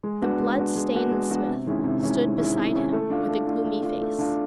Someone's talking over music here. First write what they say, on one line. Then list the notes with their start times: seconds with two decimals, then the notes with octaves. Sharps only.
The blood- stained smith stood beside him with a gloomy face.
0.03 G#3
0.22 B3 D4 F#4
0.40 G#3
0.57 B3 D4 F#4
0.75 G#3
0.94 B3 D4 F#4
1.11 G#3
1.30 B3 D4 F#4
1.48 C3
1.66 D#3 G#3 C#4 E4
1.84 C3
2.02 D#3 G#3 C#4 E4
2.20 C3
2.38 D#3 G#3 C#4 E4
2.56 C3
2.74 D#3 G#3 C#4 E4
2.92 A3
3.10 D4 F4
3.28 A3
3.47 D4 F4
3.64 A3
3.82 D4 F4
4.01 A3
4.18 D4 F4